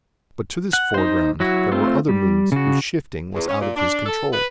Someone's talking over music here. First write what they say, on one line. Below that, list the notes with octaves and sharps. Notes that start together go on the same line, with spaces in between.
But to this foreground there were other moods whose shifting was out of his control.
F#5
D#4 C5
F#3 E4 F#4
A3 C4 F4
G3
C#3 F#4
E2
C#4
A#2
D4
A4
B4